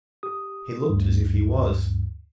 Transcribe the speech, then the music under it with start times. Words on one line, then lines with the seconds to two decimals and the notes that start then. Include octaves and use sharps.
He looked as if he was.
0.23 G4 D#6
0.89 D2 G2